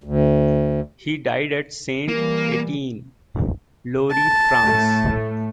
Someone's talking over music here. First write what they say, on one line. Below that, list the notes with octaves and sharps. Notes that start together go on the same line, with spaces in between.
He died at Saint Etienne, Loire, France.
D2
E3 G3 A#3
A5
A2 A3